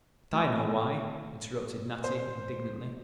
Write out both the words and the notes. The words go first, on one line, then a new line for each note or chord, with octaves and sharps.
"But I know why," interrupted Natty indignantly.
A3 C4 F#4
C5